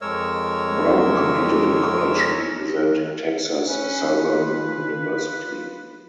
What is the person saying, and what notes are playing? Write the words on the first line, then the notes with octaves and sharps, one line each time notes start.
Brown competed in college representing Texas Southern University.
F2 G#3 A#4 C#5 E6
C#4 B4
F4